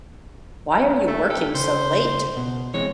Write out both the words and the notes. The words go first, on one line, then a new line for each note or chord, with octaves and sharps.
Why are you working so late?
A3
G4 A4
C#3 C5
B2
E3 G#3 C4 C#5